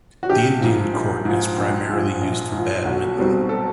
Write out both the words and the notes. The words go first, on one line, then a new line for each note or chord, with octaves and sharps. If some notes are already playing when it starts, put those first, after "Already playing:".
The Indian court is primarily used for badminton.
F#4
A#1 G4
G#2 F3
A#1
G#2 F3
A#1
G#2 F3
A#1
G#2 F3
B1 F#4
B2 G3 C4 D#4
A4